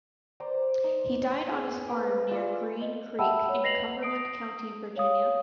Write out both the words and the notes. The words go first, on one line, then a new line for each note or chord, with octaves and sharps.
He died on his farm near Green Creek in Cumberland County, Virginia.
C5 D5 A#5
D#4
G#4 G#5
B4 F5 D6
F4 D5 E5 F5
D#5
E5 F#5 G5 A5 B5 E6
C#5 F#5
B4 D#5 A#6 C7 F7 F#7
D#6 D7
C#5 F5 D#6